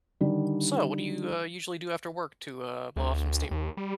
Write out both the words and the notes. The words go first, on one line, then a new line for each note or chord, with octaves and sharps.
So what do you, uh, usually do after work to, uh, blow off some steam?
D3 D#3 G3
D2
D#2
G3